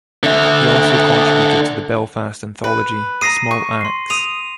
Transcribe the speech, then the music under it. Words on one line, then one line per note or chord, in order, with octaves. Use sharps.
He also contributed to the Belfast anthology "Small Axe".
D3 E5
B4
A#5 D#6 A#6 C7 D#7
C#6
C6 C7
D#6 D#7 F7